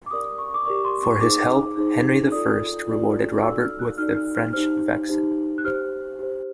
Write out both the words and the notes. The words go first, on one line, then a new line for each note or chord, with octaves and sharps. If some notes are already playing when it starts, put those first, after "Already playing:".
For his help Henry the First rewarded Robert with the French Vexin.
D6
G4 A#4 D5 D#6
C#6
D6
G4 A#4 D5 C#6
C6
C#6
D#4 G#4 C5 D6
D#4 G#4 C5
F4 A4 D5 D#6
F4 A4 D5
D#4 F#4 A4 D5 E6
E6
F6
F#6
D#4 F#4 A4 D5 F6
F6
F6
D#4 G4 C5 F6
D#4 G4 C5
F#6
G4 C5 F6
G4 C5